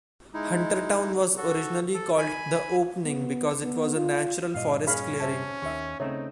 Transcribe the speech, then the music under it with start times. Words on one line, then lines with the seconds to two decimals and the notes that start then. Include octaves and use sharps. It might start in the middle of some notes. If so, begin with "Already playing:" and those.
Huntertown was originally called "The Opening" because it was a natural forest clearing.
0.34 G#3 D#4 E4
1.37 F#4 A4
1.94 A4
2.18 G#5 B5
3.04 B3
3.62 B3
3.95 F4
4.54 G2 A#2 D#5 F5
4.87 C#4 G#4 F5 B5
5.20 C5 E5 A5
5.62 D#2 D#3 E5 C#6
6.00 C#3 A3 C4 D#4 C#5 E5